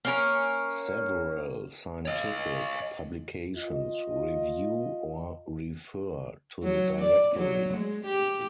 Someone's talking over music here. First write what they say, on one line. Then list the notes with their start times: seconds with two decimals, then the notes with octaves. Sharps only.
Several scientific publications review or refer to the directory.
0.05 A#3 C#4 A#4
2.05 C#5 D#5
3.56 F4 D#5
6.63 F#3
7.02 D5
7.36 F#3
7.77 G#3
8.06 G4